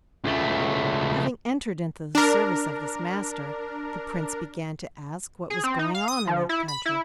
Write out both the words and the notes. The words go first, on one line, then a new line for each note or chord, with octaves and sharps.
Having entered into the service of this master, the Prince began to ask what was going on in that country.
C#2 A3
D4 A#4
G#4
C4
D#4
F5
D#6
F3
E4
B5
E4